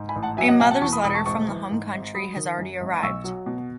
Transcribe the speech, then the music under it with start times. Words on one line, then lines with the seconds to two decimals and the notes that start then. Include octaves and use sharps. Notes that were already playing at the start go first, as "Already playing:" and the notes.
A mother’s letter from the home country has already arrived.
Already playing: G#2
0.09 G#5 B5
0.16 A1
0.23 F#5 A5
0.37 F#3 E5 G#5
0.48 D#5 F#5
0.60 B2 E5 G#5
0.71 F#5 A5
0.81 E2 A5 C#6
0.92 B5 D#6
1.04 E1 B5 D#6
1.14 A5 C#6
1.26 G#1 A5 C#6
1.48 E3
1.71 G#2
1.93 G#1
2.14 F#3 B5 D#6
2.36 D#3
2.58 F#2
2.80 G#1
3.03 B1 C#6 E6
3.24 F#3
3.46 B2